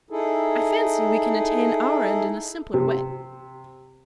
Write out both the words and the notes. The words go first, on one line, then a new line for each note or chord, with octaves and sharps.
I fancy we can attain our end in a simpler way.
D#4 E4 G#4 A4
C3